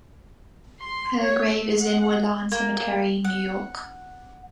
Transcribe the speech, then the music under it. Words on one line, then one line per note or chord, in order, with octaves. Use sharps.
Her grave is in Woodlawn Cemetery, New York.
C6
C#5
A3
F#5
A#3
F#5